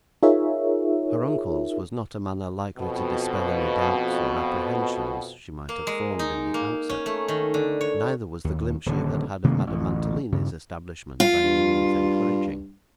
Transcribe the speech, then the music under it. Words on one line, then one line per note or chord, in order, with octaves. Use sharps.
Her uncle's was not a manner likely to dispel any doubts or apprehensions she might have formed, in the outset, neither was the glimpse she had had of Madame Mantalini's establishment by any means encouraging.
D#4 F4 G#4 A#4 C#5 E5
F2 B2
A#3
G#3
D#4
A#3
C#4
A3
D#3
D3
C#5
D#2
D#1 D3
C3 D#3 A3 A#3
A1 D2
G2 C#3
F4
G2